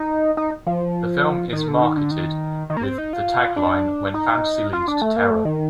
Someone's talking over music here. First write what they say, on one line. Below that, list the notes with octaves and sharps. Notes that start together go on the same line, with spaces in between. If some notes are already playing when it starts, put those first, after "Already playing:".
The film is marketed with the tagline When fantasy leads to terror.
Already playing: D#4
D#4
F3
D#3
D3
D#3
D3
D#3
D#3
A#3
C4
D#4
F4
D4
D#4
F4
D4
A3
A#3
A3
D#3